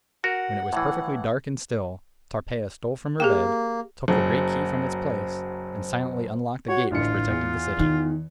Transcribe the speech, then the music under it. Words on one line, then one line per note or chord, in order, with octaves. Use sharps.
When it was perfectly dark and still, Tarpeia stole from her bed, took the great key from its place, and silently unlocked the gate which protected the city.
F#4 A#4 F#5
A2 E3
A#3 G4 G#4 G5
F#1 F#3 C5
F#4 C#5 F#5
A1 D3 F4 C#7
E2
D#3